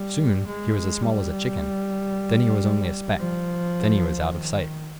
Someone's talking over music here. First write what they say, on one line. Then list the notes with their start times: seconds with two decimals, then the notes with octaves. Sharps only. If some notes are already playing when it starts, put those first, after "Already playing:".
Soon he was as small as a chicken; then he was only a speck; then he was out of sight.
Already playing: G3
0.47 G#3
1.02 G3
3.19 F3
4.28 D#3